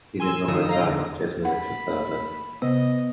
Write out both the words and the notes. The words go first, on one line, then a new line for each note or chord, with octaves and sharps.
He did not return after his military service.
G#5 C6 E6
G2 D#3 F3 D#6 E6
D#5 F5 A#5
D3
F#5 B5
C3 B3 D#5